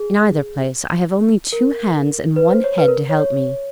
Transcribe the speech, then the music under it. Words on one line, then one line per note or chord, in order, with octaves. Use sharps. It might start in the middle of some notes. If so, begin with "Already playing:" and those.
In either place, I have only two hands and one head to help me.'
Already playing: G#4
A#4
B4
C5
C#5
B4
A#4
C#5
C#5